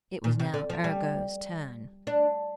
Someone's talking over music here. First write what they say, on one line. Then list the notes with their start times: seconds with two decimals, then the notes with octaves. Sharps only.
It was now Arago's turn.
0.24 A#2
0.39 C3
0.54 D3
0.70 F3
0.84 G3
2.07 D4